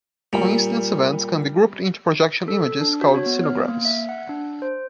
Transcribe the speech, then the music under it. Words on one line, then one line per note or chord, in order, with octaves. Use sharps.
Coincidence events can be grouped into projection images, called sinograms.
A#2 G3
A4
D4
F#4
C#5
B3
F6
A#3
E5
F#5
D4
C5